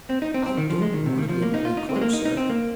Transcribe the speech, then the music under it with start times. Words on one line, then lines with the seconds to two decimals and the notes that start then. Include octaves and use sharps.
"I don't want him any closer."
0.10 C4
0.22 D#4
0.34 C4
0.46 C4
0.57 D#3
0.70 F3
0.82 G#3
0.94 D#3
1.06 C3
1.18 D#3
1.29 F3
1.42 A#3
1.54 D#4
1.65 F4
1.77 D#4
1.89 C4
1.96 G#3
2.02 A#3
2.13 D#4
2.25 D#4
2.37 C4
2.50 A#3